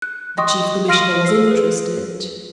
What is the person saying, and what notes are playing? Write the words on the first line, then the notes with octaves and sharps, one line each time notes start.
The Chief Commissioner was interested.
F#6
D#5 G5 C6 C#6 D#6
F5 C6 F6 A#6 D7 D#7
E6 C7
G#4 B4